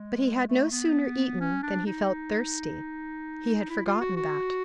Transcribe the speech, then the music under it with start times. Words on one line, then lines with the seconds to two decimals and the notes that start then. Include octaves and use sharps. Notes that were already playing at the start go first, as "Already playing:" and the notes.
But he had no sooner eaten than he felt thirsty; he had forgotten that.
Already playing: G#3
0.48 A3
0.71 B3
1.41 C#4
1.63 D4
1.86 D#4
3.70 E4
3.86 F4
4.01 F#4
4.16 F#4